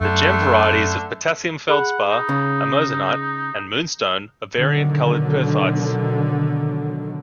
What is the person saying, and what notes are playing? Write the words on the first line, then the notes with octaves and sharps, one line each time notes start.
The gem varieties of potassium feldspar, amazonite and moonstone are variant colored perthites.
F#2 D3 A3
G#4 F#5 B5
D#4
C#3
B2 D3 D#3 F#3